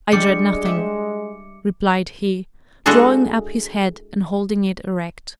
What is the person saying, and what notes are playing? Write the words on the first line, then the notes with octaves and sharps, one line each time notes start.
'I dread nothing,' replied he, drawing up his head, and holding it erect.
G3 G#3 D4 G4 D6 C#7
G4 E5
G#3 D4 E4 F#4 G#4 A4